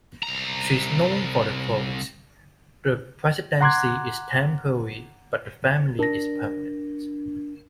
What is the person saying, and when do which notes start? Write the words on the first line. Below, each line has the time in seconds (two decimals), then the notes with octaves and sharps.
She is known for the quote, The presidency is temporary-but the family is permanent.
0.23 C2 A#5
3.61 F#5 A#5 C6 D6 F#6 G#6
5.99 D4 A#4 A#6